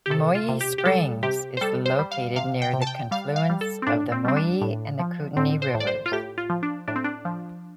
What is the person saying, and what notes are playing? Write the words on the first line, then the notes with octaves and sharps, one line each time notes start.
Moyie Springs is located near the confluence of the Moyie and Kootenai rivers.
G4
C3 A4
F4
C3
G4
G4
G3 A4
C3 G4
C5
G3 A4
C5
G3
F5
C3 F5
G5
C3
A5
G5
G3 F5
F5
G3
A4
C4
A2 D4
C4
G3 C4
D4
A2
F3
A2 C4
C5
A2
D5
C5
F4
A2 G4
F4
F3
D4
A2 D4
C4
D4
F3